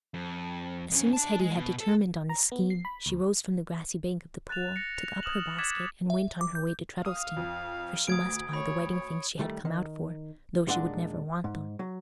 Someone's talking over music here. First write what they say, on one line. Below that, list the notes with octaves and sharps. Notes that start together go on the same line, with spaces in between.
As soon as Hetty had determined on this scheme, she rose from the grassy bank of the pool, took up her basket, and went on her way to Treddleston, for she must buy the wedding things she had come out for, though she would never want them.
F2
F2 C#4
D4 A5
G#3 D#5
B2
A4
A#5
B3
C7
B5
D2
F#6 A6 E7 F7
A#6 C#7
F7
D#6 F6 E7 F#7
D6 F#6 G#6 A6 B6 E7
E5
D6
G6
F5 D#6
F2
D2 D#6 G#6 D7
C#5 B5
C#5
D#3 G3 A3
D#3
D#2 A#2 G#3 D4 E5 F#5
G#2
F#3